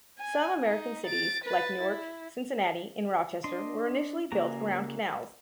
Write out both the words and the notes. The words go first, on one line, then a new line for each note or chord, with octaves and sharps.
Some American cities, like Newark, Cincinnati and Rochester, were initially built around canals.
G#5
D#4
A6 D7
B4 A6
E4
D4 D#5 C6
C#3 A#3 F#4 G#4 A#5